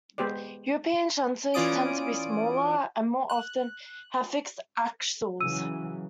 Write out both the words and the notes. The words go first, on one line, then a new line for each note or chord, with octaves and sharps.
European shunters tend to be smaller and more often have fixed axles.
G#3 B3 G4 C5 D5
E3 C#4 F4 D5 D#6 D7
F#6
C#3 E3 F#3 E6 D#7